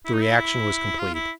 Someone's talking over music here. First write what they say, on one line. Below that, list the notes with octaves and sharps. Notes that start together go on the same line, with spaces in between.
The reaction was complete.
E4
D#4
E4
E4
F4
E4